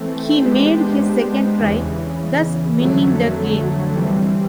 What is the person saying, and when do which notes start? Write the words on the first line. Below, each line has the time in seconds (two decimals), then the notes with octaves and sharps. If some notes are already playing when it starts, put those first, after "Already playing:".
He made his second try, thus winning the game.
Already playing: E3 A3 C4
0.41 G#3 B3 D4 G4 C5
1.59 E2 C#3 E3
2.77 F2 D3 F#3 A3
3.95 E3 G3 C4